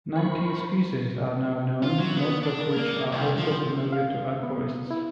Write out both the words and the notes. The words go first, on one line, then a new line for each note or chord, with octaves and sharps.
Nineteen species are now known, most of which are also familiar to aquarists.
A#4 C5 B5 C#6
F4
F#3
B3
D4
A#4
A#3
C2
F3
F5
B3
E4